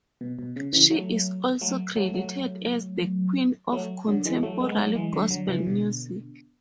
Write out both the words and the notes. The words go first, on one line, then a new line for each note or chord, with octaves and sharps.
She is also credited as the Queen of Contemporary Gospel Music.
B2
B2
C#3
C#3 E3
F#3 A3
F#3 A3
F#3 A3
F#3 A3
F#3 A3
D3 F#3
E3 G#3
F#3 A3
G#3 B3
B3
F#3 A3
E3 G#3
D3 F#3
D3 F#3
C#3 E3
B2 D3